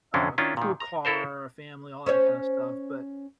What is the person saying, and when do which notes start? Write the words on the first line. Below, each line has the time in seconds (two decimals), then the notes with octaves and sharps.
a cool car, a family, all that kind of stuff. But
0.14 F2 D3 F#3 C#4 D4
0.38 D#3 C#4 D4 E4 F4
0.57 A#2 D#3
0.80 A#5
1.05 E4 A4 A#4 C5
2.06 C#4 C5 C#5